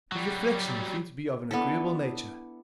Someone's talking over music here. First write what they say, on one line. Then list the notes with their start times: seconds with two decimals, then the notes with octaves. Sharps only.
His reflections seemed to be of an agreeable nature.
0.12 F#3 G3
1.51 B3 D4 E4 A4